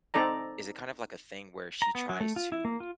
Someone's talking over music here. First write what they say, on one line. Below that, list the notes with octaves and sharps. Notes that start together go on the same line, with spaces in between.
Is it kind of like a thing where she tries to
C4 D#4 A4 D5 A#5
A#5
B3
F#3
A3
F4
E4
A#3
F4